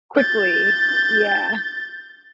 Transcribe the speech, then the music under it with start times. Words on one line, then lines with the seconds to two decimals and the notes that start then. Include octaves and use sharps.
quickly. Yeah.
0.16 G6 A6